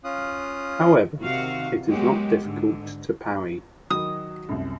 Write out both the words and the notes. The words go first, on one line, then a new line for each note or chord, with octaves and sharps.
However, it is not difficult to parry.
C#4 F4 F5 D#6 F#6
C3 D#3 F#4 F5
F#3 G#3 A#3 B3 F#4 G4
G#2 D3
D#3 F#3 D#6
C2 F#2